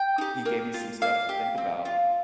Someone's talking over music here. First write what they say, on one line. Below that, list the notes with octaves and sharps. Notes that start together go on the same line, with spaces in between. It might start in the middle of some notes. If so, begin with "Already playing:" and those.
You gave me some stuff to think about.
Already playing: G5
D#4 G4
A#3
F4
A#3 F5
G4
C4
F4